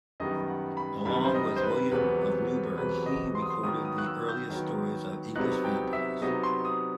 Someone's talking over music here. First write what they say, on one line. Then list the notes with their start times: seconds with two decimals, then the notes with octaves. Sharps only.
Along with William of Newburgh, he recorded the earliest stories of English vampires.
0.20 F#2 D#3 G3 B3 D#5
0.48 F#5
0.77 B5
1.05 F#2 D#3 G3 B3 B5
1.24 C5
1.34 D#5
1.56 C5
1.63 B4
1.91 E2 C3 F#3 B3 B4
2.78 E2 C3 F#3 B3 B4
3.06 D#5
3.35 C6
3.42 D#6
3.50 C6
3.63 D#3 F#3 B3 D#6
3.85 D#6
3.98 F#6
4.07 E6
4.29 G6
4.50 D#3 F#3 B3
5.35 C3 F#3 B3 D#4 F#6
5.65 G5
5.93 E5
6.22 C3 F#3 B3 D#4 D#5
6.43 C6
6.65 D#6